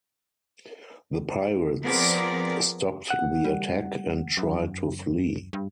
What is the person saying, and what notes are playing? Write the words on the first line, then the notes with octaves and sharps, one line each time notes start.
The pirates stopped the attack and tried to flee.
F3 B3 C4 G#4 A#4 D5
F#5
G3
F#2
G2